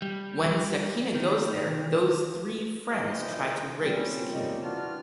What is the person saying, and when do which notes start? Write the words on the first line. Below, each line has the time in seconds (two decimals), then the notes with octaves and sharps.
When Sakina goes there those three friends try to rape Sakina.
0.02 G3
1.15 D#3
2.90 B1 A#2 E3 C5 D#5 G5
3.39 G#4
3.81 A#2 C#3 G3 C4 C#4
4.32 G3 A#3 D#4 C#6
4.62 E3 D4 F4 F#4 F6